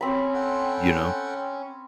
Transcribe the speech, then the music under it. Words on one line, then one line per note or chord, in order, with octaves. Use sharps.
You know?
C4 C#4 G4 B5
A4 F#5 G5